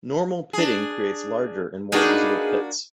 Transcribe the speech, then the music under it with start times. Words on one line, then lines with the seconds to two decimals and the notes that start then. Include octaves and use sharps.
Normal pitting creates larger and more visible pits.
0.53 D4 G#4
1.92 A#3 D4 D#4 F#4 G#4 B4